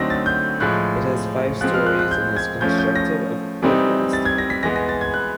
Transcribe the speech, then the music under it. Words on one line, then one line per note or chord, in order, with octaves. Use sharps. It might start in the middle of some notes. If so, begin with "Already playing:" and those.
It has five storeys and is constructed of Portland stone.
Already playing: D3 F#3 A3 C4 D#4 A#6
A6
G6
A2 F3 G#3 F#6
F3 G#3 C4 F#6
F6
F#6
F#6
G6
G#6
F3 A3 C#4 G6
G6
A#6
C3 E3 G3 C4 D#4
A6
G#6
A#6
B6
E3 G#3 B3 A#6
A#6
A6
G#6
F#6